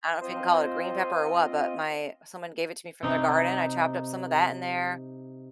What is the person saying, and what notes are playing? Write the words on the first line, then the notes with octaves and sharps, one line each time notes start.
I don't if you can call it a green pepper or what, but my someone gave it to me from their garden. I chopped up some of that in there
C4 F4 C5 D#5
C3 D#4